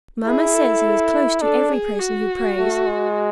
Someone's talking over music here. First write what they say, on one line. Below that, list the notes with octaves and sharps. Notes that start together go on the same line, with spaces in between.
Mamma says he is close to every person who prays.
E4 G#4
A4
D4 A4
G#4
F#4
A3
G#3